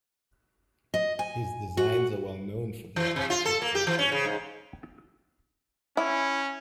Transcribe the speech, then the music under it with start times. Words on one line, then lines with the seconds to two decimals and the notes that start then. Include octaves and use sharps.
His designs are well known for their architectural beauty.
0.94 D#5
1.19 G#5
1.77 F#4
2.96 E3
3.16 C3
3.30 F4
3.45 A4
3.62 A#3
3.75 G4
3.87 E3
3.99 C#4
4.12 C#3
4.25 G#2
5.97 C#4 E4